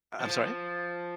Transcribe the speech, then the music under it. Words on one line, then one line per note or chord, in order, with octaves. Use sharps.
I'm sorry?
F3